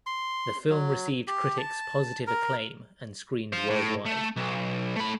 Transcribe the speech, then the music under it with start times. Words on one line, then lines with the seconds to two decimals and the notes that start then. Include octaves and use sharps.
The film received critics positive acclaim and screened worldwide.
0.07 C6
0.69 F#3
1.28 G4
1.58 A5
2.27 A#4
3.53 C5 F5
3.70 A2
4.06 A3
4.37 B1
4.96 A3 B5